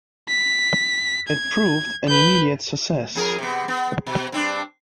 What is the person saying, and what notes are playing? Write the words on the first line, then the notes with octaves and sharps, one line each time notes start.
It proved an immediate success.
B6
G#6
B4 G6
F2 G#4 A#4
C3 B3
B3
B2
G2 C4 D4